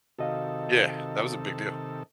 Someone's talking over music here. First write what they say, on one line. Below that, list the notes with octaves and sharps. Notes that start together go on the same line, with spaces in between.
Yeah, that was a big deal.
C3 D#3 F#4 A4 D#5 F5